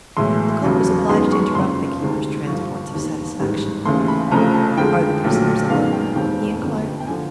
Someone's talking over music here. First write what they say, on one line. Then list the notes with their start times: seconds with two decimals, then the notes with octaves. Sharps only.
Lecoq was obliged to interrupt the keeper's transports of satisfaction. "Are the prisoners alone?" he inquired.
0.17 B1 A2 E3 G#3 C6
0.63 E1 D#2 C#3 F#3
1.09 F#2 D#3 G#3 B3 C6
1.32 C#6
1.55 F#1 F2 C#3 C6
2.02 D2 C3 D#3 G#3
2.47 G2 D3 F3 C#6
2.93 E1 D#2 D#3
3.39 A1 G#2 D#3 G3
3.85 D#2 C#3 E3 A3 C6
4.08 B5
4.31 F1 F2 C#3 F3 A3 A#5
4.54 A5
4.77 F2 D3 F3 G#3 G5
5.24 A#1 A#2 F#3 A3
5.69 F#2 D#3 G#3 B3 F5
5.93 G5
6.15 E1 D#2 D#3 G#3 C4 G5
6.61 G1 F2 D3
7.00 G5
7.07 D3 F3 G#5